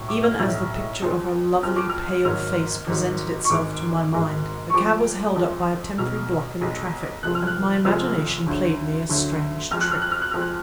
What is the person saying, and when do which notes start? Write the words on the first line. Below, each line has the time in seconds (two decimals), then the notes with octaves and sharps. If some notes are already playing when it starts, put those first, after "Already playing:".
Even as the picture of her lovely, pale face presented itself to my mind, the cab was held up by a temporary block in the traffic--and my imagination played me a strange trick.
Already playing: B1 A2 F#3
0.09 D6
0.24 F6
0.39 B1 A2 F#3 F6
1.02 F2 F3 G#3
1.63 F2 F3 G#3 F6
1.76 D6
1.89 F6
2.25 G#1 G#2 F#3 F6
2.87 G#1 G#2 F#3
3.45 C#6
3.50 G#1 G#2 G#3 D6
4.12 G#1 G#2 G#3
4.70 C#6
4.74 F2 F3 G#3 D6
5.36 F2 F3 G#3
5.98 B1 B2 G#3 F6
6.60 B1 B2 G#3
7.23 F1 F2 F3 G#3 F#6
7.35 F6
7.47 F#6
7.85 F1 F2 F3 G#3 F6
8.47 D2 D3 F#3
9.09 D2 D3 F#3
9.71 F2 F3 G#3 F6
9.81 F#6
9.91 F6
10.02 F#6
10.12 F6
10.22 F#6
10.31 F2 F3 G#3 F6
10.41 F#6